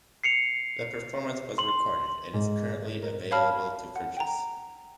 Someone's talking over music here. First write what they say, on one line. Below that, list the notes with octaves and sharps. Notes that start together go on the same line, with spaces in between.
The performance was recorded and is currently available to purchase.
C7 C#7 F7
C6 F#7
G#2
G#6
A#4
C#5 F5 A5 B5 F6
F#5
G5 A#5